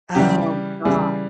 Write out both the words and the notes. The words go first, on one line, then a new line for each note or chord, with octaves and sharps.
Oh god.
C#3 E3 G3 G4
C#3 E3 G3 G#4